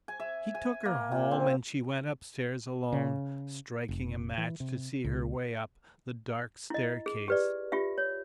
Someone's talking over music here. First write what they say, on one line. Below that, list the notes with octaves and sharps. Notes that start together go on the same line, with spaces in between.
He took her home and she went upstairs alone, striking a match to see her way up the dark staircase.
G#5
E5
G#5
A#3
A#2
C4
C#3
F1
E3
C3
C#2
E4 D#5
G#4
G4 B4 D5
F4 G4 E5
C#5